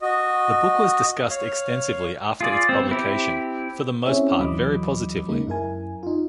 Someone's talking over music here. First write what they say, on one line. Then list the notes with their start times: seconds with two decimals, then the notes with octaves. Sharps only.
The book was discussed extensively after its publication, for the most part very positively.
0.01 F#4 D#5
1.30 C#5 F5
2.41 F4 G#4 D5
2.69 B3 C4
2.89 C4 E4 G4
4.05 C4 C#4 E4 G#4 C#5 E5
4.39 D#2 E3 F#3 D#5 B5 D6
5.29 C#3 G#3 A#3 D#4
5.47 F#2 E4 A#4 G#5
6.03 D#4 F4